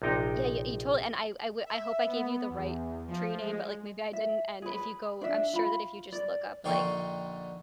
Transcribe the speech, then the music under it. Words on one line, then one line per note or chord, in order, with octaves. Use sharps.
Yeah ye you told and I I w I hope I gave you the right tree name, but, like, maybe I didn't, and if you go I'm sure that if you just look up, like,
A#1 C3 D#4 G5 A#5
E5
B3
E2
F3
G#3
E5
G#4 B4
D4 E5
F4 B5
D5
A#1 D3 D#4 G5 C6 C#6